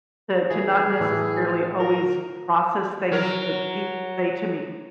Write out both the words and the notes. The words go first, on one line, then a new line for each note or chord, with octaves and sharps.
to to not necessarily always process things that people say to me
E3 G#4
A2 E3
A#4
F#3 A#4